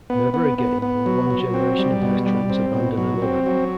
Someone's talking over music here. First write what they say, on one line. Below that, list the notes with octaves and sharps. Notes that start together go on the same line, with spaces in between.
Never again will one generation of veterans abandon another.
B3
B3
B3
B3
F#3
F#3
C4
G3
B2
G3
C4
B2
F#3
C4
F#3